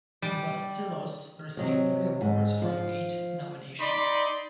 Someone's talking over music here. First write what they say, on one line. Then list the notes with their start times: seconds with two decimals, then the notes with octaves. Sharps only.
Bacilos received three awards from eight nominations.
0.22 G3
1.57 C3 F#3 D#5
2.21 G#2
2.62 F3
3.80 D#4 D5 B5 C6